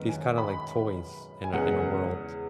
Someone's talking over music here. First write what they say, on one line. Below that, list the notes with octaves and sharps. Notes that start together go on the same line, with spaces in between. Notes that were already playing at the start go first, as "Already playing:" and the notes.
these kinda, like, toys in a in a world,
Already playing: F#2 D#3 G#3 B3
G#5
B5
G#5
E2 C#3 G#3 B3 F#5